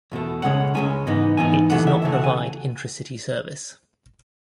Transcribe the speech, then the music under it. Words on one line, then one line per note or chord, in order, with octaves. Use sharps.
It does not provide intracity service.
E2 B2 A3
C#2 C#3 G#3 C#4 F#5
C#2 C#3 G#3 C#4 G#5
G#2 E3 B3 D#4
G#2 E3 B3 D#4 G#5
D#2 C#3 E3 A3 F#5
E5
D#2 C#3 E3 A3 E5
F#5
G#5